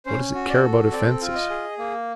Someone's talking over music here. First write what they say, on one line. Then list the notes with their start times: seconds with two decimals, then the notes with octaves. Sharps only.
What does it care about offences?
0.06 C#4 C5
0.34 F#4
0.49 D5
0.64 A4
0.92 C4 D5
1.21 F4
1.35 D#5
1.50 G#4
1.79 A#3